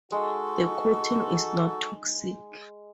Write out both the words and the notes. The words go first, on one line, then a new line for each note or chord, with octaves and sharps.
The coating is not toxic.
G#3 D#4 F#4 A4 C#6